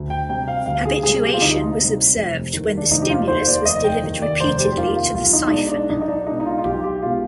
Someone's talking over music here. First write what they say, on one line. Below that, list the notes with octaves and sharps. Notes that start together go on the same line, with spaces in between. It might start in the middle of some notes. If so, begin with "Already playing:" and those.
Habituation was observed when the stimulus was delivered repeatedly to the siphon.
Already playing: D2
G5
C3 G3 G5
F5
D2 F5
G#4
C3 G3 G#4
G4
F4
D2 D#4
C3 G3
F1
D#2 D#3
D4
F1 D#4
G4
F4
D#2 D#3 C5
D5
F1 D#5
G5
D#2 D#3
D5
F1 C5
G4
G4
D#2 D#3 F4
F4
B1 F4
D#4
D#4
B2 G#3 D4
D4
B1 D#4
D#4
D4
B2 G#3 D#4
D#4
F4
F4
B1 G4
G4
B2 G#3 F4